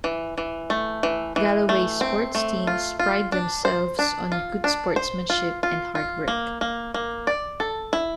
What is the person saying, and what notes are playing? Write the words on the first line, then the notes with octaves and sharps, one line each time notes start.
Galloway's sports teams pride themselves on good sportsmanship and hard work.
E3
E3
A3
E3
E3
A3
C4
A3
F4
F4
D4
C5
D4
F4
D4
C5
F4
F4
F4
A#3
A#3
A#3
D5
A4
E4